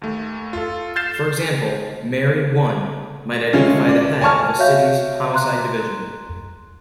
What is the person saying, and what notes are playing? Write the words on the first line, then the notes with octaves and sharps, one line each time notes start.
For example, "Mary One" might identify the head of a city's homicide division.
D#2 A3
F4 A4
F6 G6 A6 C7 E7
G#3 A3 C#4 F4
D5
G#5 A5 C#6 F6
F#4 C#5 E5 F5 G6
A#5 C6 F#6